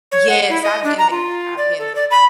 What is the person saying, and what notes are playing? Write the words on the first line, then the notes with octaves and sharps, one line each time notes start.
Yes, I've been there. I've been there.
C#5
F#5
E4
D#5
D4
A#5
F4
D5
A4
D5
B5